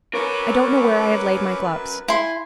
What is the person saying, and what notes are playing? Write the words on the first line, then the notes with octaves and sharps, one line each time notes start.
"I don't know where I have laid my gloves."
F#2 A#4 B4 C#5 D6
E4 G#5 C6